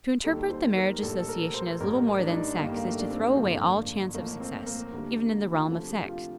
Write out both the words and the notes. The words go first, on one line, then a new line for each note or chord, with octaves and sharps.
To interpret the marriage association as little more than sex is to throw away all chance of success, even in the realm of sex.
D#2 D#3 G3 A4
C5
A#4
A#1 A2 G3 A4
A4
A#4
C5
A1 A2 G3 A#4
D4
D#4
D4
G1 G2 D#3 G3 A#3
A#3
A3
D4
C4
A1 G2 D3 F3 A#3
A1 A2 F3 A#3
C4
A#3
D2 D3 G3 A#3
A#3
F4
D2 C3 F3 G4
G4
F4